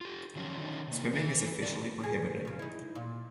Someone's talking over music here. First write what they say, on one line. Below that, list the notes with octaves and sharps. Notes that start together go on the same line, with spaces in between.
Swimming is officially prohibited.
F4 G4
D#3 F3 F#3 C#4 F4
D3 D#3 C#4 D#4
C3 A#3
E3 B4
D#3 G3 A3 D4 D5
F3 G#4
E2 C#3
D#4 E4
A#2